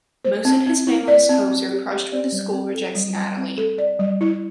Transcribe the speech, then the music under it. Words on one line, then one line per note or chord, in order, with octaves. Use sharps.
Moose and his family's hopes are crushed when the school rejects Natalie.
C5
C4
C4
E4
D5
C4
C4
G4
G4
D5
G3
C4
A4
G3
G3
C4
A4
D5
G3
E4